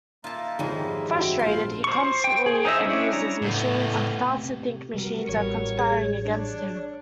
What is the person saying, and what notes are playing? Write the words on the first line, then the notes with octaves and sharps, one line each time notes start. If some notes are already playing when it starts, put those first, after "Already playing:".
Frustrated, he constantly abuses machines and starts to think machines are conspiring against him.
A#3 D#4 F4 E5 A5
F2 G#2 D#3 G3 G#3 C#5
F#2 F#3 C4 E4 F#4 E5 D7
A#1 F3 F4 C5 F5 C6
C5 C#6
G5
G#4
D#4 C5 D#5 E5
C#4 D4 E4 C#5
G3 A#5
A2 B3
C3
G3 B3 F#4 A#4
A1 G3 C#5
G#4
D4